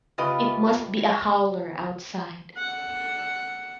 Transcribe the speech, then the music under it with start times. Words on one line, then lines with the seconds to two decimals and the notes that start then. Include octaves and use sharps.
It must be a howler outside.
0.18 C#3 A3 F4 G4 B4 D#5
2.58 F#5